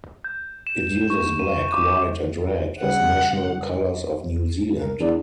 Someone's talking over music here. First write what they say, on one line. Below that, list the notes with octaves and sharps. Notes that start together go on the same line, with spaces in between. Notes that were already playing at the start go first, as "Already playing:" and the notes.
It uses black, white and red as national colours of New Zealand.
G6
E7
C#6
D#7
D6
C#3 G3 F#5
A#4
E2 D4